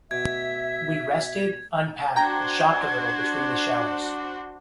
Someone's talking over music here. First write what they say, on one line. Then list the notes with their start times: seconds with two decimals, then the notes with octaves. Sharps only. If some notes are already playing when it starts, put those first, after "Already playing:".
We rested, unpacked, and shopped a little between the showers.
0.11 B2 E5 G#6
2.16 D4 F#4 C5 G5 A#5 G#6